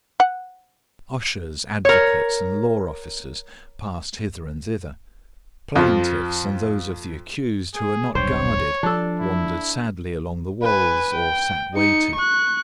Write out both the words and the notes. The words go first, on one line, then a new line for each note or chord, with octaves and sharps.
Ushers, advocates, and law officers passed hither and thither. Plaintiffs, and those of the accused who were not guarded, wandered sadly along the walls or sat waiting.
F#5
A#4 C#5
F2 F3
G#4
D#1 B1 G2 C5 C#5 G5
F3 D4 A4
E4
B4 G#5
G5
D#4 C#7
C#6 F#6